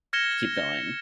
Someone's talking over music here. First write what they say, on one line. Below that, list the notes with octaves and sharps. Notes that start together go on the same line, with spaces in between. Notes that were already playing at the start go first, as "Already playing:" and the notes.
to keep going.
F6 G#6 A#6 C#7 E7 G7